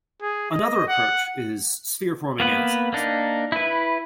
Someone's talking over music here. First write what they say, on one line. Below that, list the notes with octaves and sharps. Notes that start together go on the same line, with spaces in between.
Another approach is sphere-forming assays.
G#4
D#5
F#5
A#3 B3 B4
A#3 D4 D#4
E4 B4